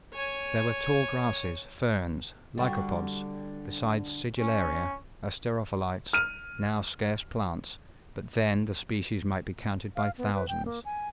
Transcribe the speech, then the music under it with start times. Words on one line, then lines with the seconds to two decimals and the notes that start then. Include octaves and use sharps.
There were tall grasses, ferns, lycopods, besides sigillaria, asterophyllites, now scarce plants, but then the species might be counted by thousands.
0.13 C#5 G#5
2.58 D3 G3 F#4
4.39 C#4
6.13 F6 D#7
9.96 F5
10.18 B3
10.35 B4
10.48 G5
10.65 A#3
10.85 G#5